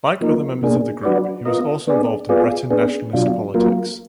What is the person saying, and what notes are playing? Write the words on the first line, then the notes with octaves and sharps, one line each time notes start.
Like other members of the group, he was also involved in Breton nationalist politics.
F3 A#3 D#4 A#4
B2 A#3 D4 G#4
F#3 D4 F#4 B4 D5
B3 F4 A#4 D#5
B3 D4 G#4 D5
B3 F4 G#4 D5
B3 D4 G#4
B2 F#3 D4 F4
F#3 A#3 F4 A#4